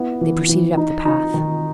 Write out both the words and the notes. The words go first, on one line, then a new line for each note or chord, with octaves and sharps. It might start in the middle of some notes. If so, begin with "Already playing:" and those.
They proceeded up the path.
Already playing: B3 E4
E3
E3
D#4
D#4
D#3